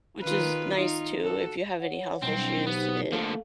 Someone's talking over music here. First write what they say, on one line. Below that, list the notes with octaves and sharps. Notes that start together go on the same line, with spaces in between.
Which is nice, too, if you have any health issues. It
D#3 F4 B4
D#4 F4
F#4 A4
C#5 F#5
B1 G3 C4
D4 E4
B3 D#4 G4 C5
D3 F3 A3 A#3 A4 F5